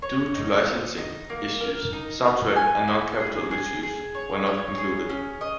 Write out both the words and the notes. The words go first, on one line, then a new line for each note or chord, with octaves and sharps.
Due to licensing issues, soundtrack and non-Capitol videos were not included.
C#5
D#4
D#4
D#4
A#3
A#4
D#4
A#4
G#5
E4
G#4
G#4
G#4
C#5
C#5
G#4
C#4
D#5